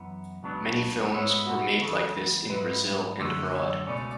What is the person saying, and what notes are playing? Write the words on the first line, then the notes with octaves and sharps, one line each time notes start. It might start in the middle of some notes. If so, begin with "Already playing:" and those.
Many films were made like this in Brazil and abroad.
Already playing: F#2 E3 B3
C#2 C#3 F#3 B3 D4
G#2 G#3 B3 E4 C#5
F#4
C#2 C#3 E3 B3 A4
G#2 F#3 B3 E4 B4
F#2 D3 A3
C#5
C#2 B2 A3 C#4 D5